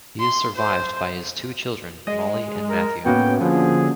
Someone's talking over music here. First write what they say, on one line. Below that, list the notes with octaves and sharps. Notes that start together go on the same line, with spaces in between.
He is survived by his two children, Molly and Matthew.
C6
C5
G#3 D#5
A#4
A2 A#3 B3 C#4 F#4 G5
D3 F3 B3 G#4